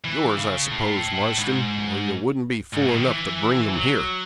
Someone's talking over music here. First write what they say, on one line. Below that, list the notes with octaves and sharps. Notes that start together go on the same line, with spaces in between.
Yours, I suppose, Marston, or you wouldn't be fool enough to bring them here.
E3
C#3
A2
G#2
G#2
A2
D#3
E3
F#3